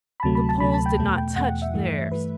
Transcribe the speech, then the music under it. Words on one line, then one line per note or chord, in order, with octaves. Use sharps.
The Poles did not touch theirs.
B5
D2 C3 F#3 A3 A5
B5
A5
D2 C3 F#3 A3 B5
A5
G5
E2 B2 A3
G5
E2 B2 A3 F#5
G5
E5
G2 E3 A3
G2 E3 A3 B4